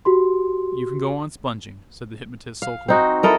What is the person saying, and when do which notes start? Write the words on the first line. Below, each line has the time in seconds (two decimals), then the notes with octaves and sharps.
"You can go on sponging," said the hypnotist sulkily.
0.05 F#4 G4 C6
2.62 F5
2.88 C4 D#4 F#4
3.23 E4 A4 A#4 D#5